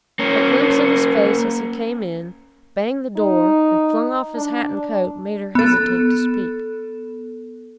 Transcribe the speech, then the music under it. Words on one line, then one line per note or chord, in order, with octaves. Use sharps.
A glimpse of his face as he came in, banged the door, and flung off his hat and coat made her hesitate to speak.
A#3 C#4
D#4
D4
B3 A4